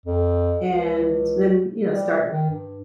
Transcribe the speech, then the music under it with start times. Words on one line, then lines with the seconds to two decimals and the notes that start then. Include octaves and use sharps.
and then, you know, start
0.06 F2
0.69 C#2
1.93 G3
2.32 D#3
2.50 G2